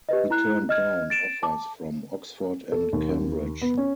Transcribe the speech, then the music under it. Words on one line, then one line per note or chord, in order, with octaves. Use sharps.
He turned down offers from Oxford and Cambridge.
G4 B4 D#5
E4 A#5 F#6
D#5 F6 G#6
A6 D7 E7
A5 D6
A4
D#2
B3
C#4